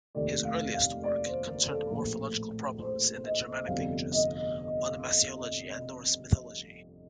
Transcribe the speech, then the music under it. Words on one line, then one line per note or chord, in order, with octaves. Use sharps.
His earliest work concerned morphological problems in the Germanic languages, Onomasiology and Norse mythology.
F1 D#2 D#3 A3 D5
F5
F5
D5
C5
A#4
A4
A#1 A2 A3 A#4
C5
D#5
G1 F2 C3 G3 F5
D#5